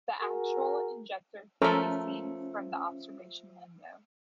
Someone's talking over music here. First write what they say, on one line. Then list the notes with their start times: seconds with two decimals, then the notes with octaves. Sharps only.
The actual injector can be seen from the observation window.
0.21 F#4 G#4 A#4
1.62 F3 A3 C#4 A4 A#4 E5